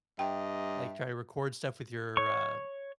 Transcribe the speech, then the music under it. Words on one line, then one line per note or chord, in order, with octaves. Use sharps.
like try to record stuff with your, uh,
G2 D#5 E5 G5
C#5 C#6